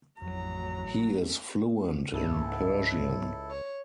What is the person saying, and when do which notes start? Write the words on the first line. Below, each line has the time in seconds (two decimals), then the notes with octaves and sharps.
He is fluent in Persian.
0.22 A1 F2 A2 F#3 A#5
2.14 C#2 G#2 E4 A4
3.50 C#5